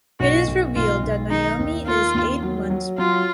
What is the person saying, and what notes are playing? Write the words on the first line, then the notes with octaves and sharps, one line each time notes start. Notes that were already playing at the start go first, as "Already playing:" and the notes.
It is revealed that Naomi is eight months pregnant.
B1 F#4
B1
B1 F4
B1
D#3 D#4
D#2
A#3 F4
D#2
F#3
F#3
F#3 F4